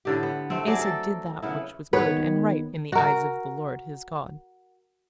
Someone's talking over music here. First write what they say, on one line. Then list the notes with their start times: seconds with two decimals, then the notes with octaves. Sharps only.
And Asa did that which was good and right in the eyes of the Lord his God.
0.05 A2 D3 G4
0.23 B3
0.50 A3 C4
0.67 F#3 A3 G#4 D5
0.81 A4
1.42 C#3 B3 E4
1.93 D#3 B3 B4 C#5
2.92 F#4 A#4